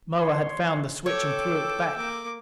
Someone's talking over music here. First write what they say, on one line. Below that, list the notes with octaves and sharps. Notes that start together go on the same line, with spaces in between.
Moa had found the switch and threw it back.
C#5 C6
A4 C#5 G5 D6 E6
A#3 D6